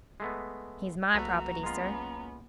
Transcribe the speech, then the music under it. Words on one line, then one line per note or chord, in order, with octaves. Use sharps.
"He's my property, sir."
G#3 A3 B3
C2 F#3 A3 A#3 F#4 B4 A#5
G#3 B3 C#4 F4